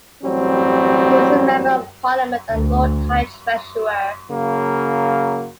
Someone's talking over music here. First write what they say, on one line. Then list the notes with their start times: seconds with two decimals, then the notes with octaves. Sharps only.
He was a Member of Parliament and Lord High Treasurer.
0.24 A1 F#3 G3 C4
2.52 D2
4.31 C#3 F#3 A#3